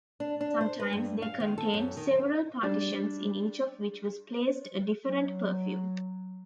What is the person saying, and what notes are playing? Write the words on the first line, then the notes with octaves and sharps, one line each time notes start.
Sometimes they contained several partitions, in each of which was placed a different perfume.
D4
D4
C5
B4
G2
F5
D#3
A4
F#2
D#3
G3 D4 D5
F#3